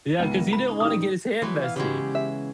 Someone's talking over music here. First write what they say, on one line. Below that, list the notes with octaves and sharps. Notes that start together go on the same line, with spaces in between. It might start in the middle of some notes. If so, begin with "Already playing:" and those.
Yeah, 'cause he didn't wanna get his hand messy.
C#2 G#2 G#3 B3
A#4
B5
C#4 D#4
A2 D#3 G3 D#6
E3 F#3 G#3 A3 B3
F5
C#3 E3 G#3 F#4 G4
E5